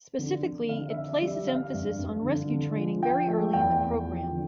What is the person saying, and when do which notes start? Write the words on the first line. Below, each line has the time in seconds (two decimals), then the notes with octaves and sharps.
Specifically it places emphasis on rescue training very early in the programme.
0.19 D3
0.43 D3
0.69 D3 F5
0.90 E5
0.95 D3
1.08 D5
1.22 G3
1.27 E5
1.48 D3 F5
1.74 G2
1.99 G2
2.24 D3
2.51 D3
2.76 F3
3.03 F3 G5
3.28 A3
3.53 E2 G5
3.80 E2
4.06 F3
4.32 D3